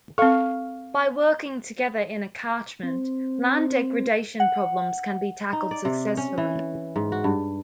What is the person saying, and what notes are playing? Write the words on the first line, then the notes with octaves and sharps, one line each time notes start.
By working together in a catchment, land degradation problems can be tackled successfully.
C4 A4 F5 C#6
C4
F#5
D#4
D5
C3
C#4
E3
G#2
F#4
G2